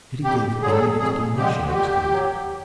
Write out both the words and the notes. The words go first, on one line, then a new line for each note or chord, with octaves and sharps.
"Did he give any explanation of his conduct?"
F2 G4
D3 F#3 G#4
A4
G#4
F2 G#4
D3 F3 G#3 G4
F#4
A#2 G4
F#3